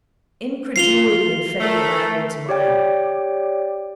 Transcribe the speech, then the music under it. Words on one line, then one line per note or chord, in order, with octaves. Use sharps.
Incredulity infected Lanyard's mind.
F4 C7 F7 G7
A3 A#4
G4 C#5 D5 G5